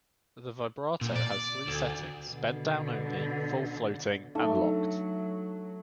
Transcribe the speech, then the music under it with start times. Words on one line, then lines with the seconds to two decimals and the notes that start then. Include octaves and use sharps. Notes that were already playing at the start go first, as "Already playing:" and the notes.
The vibrato has three settings; bend down only, full floating and locked.
1.01 A#2
1.16 D5
1.67 D2
2.28 B2 D3
4.35 F#3 A3 D4 D#4 E5